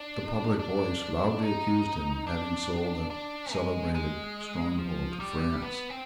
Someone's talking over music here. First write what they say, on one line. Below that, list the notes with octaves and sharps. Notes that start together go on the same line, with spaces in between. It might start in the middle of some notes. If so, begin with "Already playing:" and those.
The public voice loudly accused him of having sold that celebrated stronghold to France.
Already playing: D4
D4
D#4
D4
D4
G#3
G#3
F3
G3
B3
C4